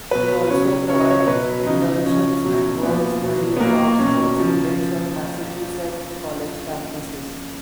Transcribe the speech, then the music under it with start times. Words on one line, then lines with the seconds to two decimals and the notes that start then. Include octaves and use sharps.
They also provide internships and work study jobs for students on Massachusetts college campuses.
0.11 B2 F#3 B4
0.50 C#3 F#3 C#5
0.89 C#3 F#3 C#5
1.00 D#5
1.11 C#5
1.27 B2 F#3 B4
1.66 C#3 F3 D#4
2.05 C#3 F3 C#4
2.44 B2 F#3
2.83 A#2 F3 B3
3.22 B2 F#3
3.57 B3
3.60 A#2 F#3 A#3
3.99 B2 F#3 C#4
4.38 C#3 F3